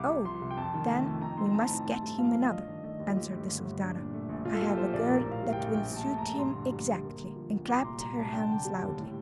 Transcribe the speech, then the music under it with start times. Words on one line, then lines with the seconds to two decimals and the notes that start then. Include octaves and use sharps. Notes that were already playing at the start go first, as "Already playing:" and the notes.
'Oh, then we must get him another,' answered the Sultana; 'I have a girl that will suit him exactly,' and clapped her hands loudly.
Already playing: C2 D6
0.08 C3
0.24 F3 C6
0.42 C2
0.50 G5
0.57 F2 A5
0.74 D#3
0.90 A3
1.05 F2
1.21 D#4 A#5
1.38 A3 C6
1.46 A#5
1.54 C4 A5
1.70 A2
1.86 A3 A5
2.03 G2
2.19 F3 F5
2.34 G1
2.51 D4 D#5
2.68 D#3
2.83 A3 D#5
2.99 D#2
3.08 F4
3.15 A3 G4
3.32 G2
3.48 D3
3.65 G1
3.81 D4
3.97 A#2
4.13 A3
4.29 A#1
4.45 A#1 F4
4.54 A4
4.62 A#2 G4
4.78 F3 C5
4.94 A#1 D5
5.09 A#1 A#4
5.26 A2
5.32 F5
5.42 G3
5.53 G5
5.59 A#1
5.74 A#1 G5
5.91 A#2
5.96 A5
6.07 A3
6.18 A#1 A#5
6.39 G2 C6
6.55 D3
6.72 G3
6.87 G2
7.04 A#3
7.20 D3
7.36 F3
7.53 D2
7.68 C2 D6
7.78 A#5
7.84 A#2 C6
8.00 G3 A#5
8.17 C2 A5
8.33 D4 G5
8.43 A5
8.49 D3 G5
8.65 G3
8.82 D#2
8.98 A2